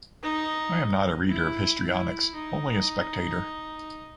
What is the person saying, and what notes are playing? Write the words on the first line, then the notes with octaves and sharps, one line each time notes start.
I am not a reader of histrionics, only a spectator.
D#4
E4
E4
D#4